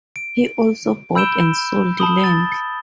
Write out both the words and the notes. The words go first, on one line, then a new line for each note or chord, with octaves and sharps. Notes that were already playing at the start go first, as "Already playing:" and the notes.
He also bought and sold land.
D7
B5 E6 G6 D7 E7 G7
A5 B5 D#6 G7
A6